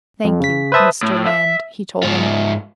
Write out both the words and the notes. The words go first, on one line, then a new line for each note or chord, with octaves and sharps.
"Thank you, Mr. Land," he told him.
F2
C#3 B6
B4 C5 E5 A5 D#6
A2
E5
G#2 F4